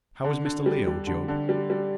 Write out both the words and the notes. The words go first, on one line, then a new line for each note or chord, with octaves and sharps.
"How is Mr. Leo, Job?"
D3
D3
G3
G3
D3
D3
G3
G3